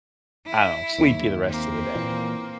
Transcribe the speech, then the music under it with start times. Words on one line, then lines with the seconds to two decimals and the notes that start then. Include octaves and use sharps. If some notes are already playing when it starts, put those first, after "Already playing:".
I don't sleepy the rest of the day.
0.46 E4
0.98 D#2
1.45 A#3 C4
1.95 A#2 E3